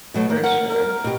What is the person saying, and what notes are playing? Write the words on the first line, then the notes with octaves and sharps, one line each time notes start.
For sure.
B2 F#3 A3
A#3
A#4 F#5
A#4
B2 G4